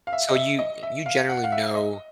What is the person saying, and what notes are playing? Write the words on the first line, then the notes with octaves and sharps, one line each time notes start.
So, you y you generally know
F5
E5
D#5
E5
D#5
E5
F5
F#5
F5
E5
D#5